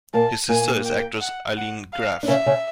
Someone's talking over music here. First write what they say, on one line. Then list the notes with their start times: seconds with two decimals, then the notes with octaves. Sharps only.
His sister is actress Ilene Graff.
0.14 A#2 A#3 A5
0.49 A#2 A#3 G#5
0.85 G5
1.21 F#5
1.57 F#5
1.93 F5
2.23 D4
2.28 C#3 C#4 E5
2.46 C#3 C#4